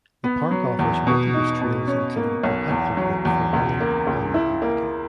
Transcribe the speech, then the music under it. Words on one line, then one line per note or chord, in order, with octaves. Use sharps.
The park offers multi-use trails including a competitive loop for running and mountain biking.
B3
F#3
E2
B2
D#4
B2
C#4
A#3
B1
E2
F#3
E2
C#2
A#3
C#2
E4
A#3